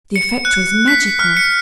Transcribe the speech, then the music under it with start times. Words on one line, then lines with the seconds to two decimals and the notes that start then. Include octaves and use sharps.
The effect was magical.
0.16 C#7
0.45 F#6
0.88 B6
1.19 F6
1.37 C#7